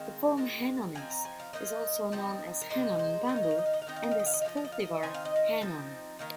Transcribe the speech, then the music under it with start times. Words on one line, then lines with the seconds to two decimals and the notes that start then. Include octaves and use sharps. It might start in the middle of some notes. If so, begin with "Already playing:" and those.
The form "henonis" is also known as Henon bamboo and as cultivar 'Henon'.
Already playing: D#3 G#3 C4 F5
0.37 A#2 G#3 C4
0.95 F3 C4 D#4 G#5
1.10 A#5
1.25 G#5
1.40 F5
1.53 F3 A#3 D#4 D#5
2.12 F3 C4 D#4
2.62 A#4
2.70 C3 G#3 D#4 C5
2.99 C5
3.28 D#3 A#3 D#4 D#5
3.36 F5
3.43 D#5
3.51 F5
3.58 D#5
3.66 F5
3.74 D#5
3.82 F5
3.87 D#3 C4 D#4 D#5
3.96 F5
4.03 D#5
4.11 F5
4.19 D#5
4.26 F5
4.33 D#5
4.42 F5
4.45 F3 A#3 D#4 D#5
4.57 F5
4.65 D#5
4.72 F5
4.80 D#5
5.03 D#3 C4 D#4 G#5
5.14 F5
5.25 D#5
5.36 F5
5.61 F3 C4 D#4
6.19 D#3 A#3 D#4